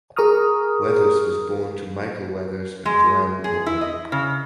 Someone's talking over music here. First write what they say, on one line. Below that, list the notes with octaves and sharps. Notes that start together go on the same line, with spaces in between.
Weathers was born to Michael Weathers and Joann Loring.
G#4 A#4 A#5 C#6 D#6 F6
G#3
G#4
E4
D#5
C#3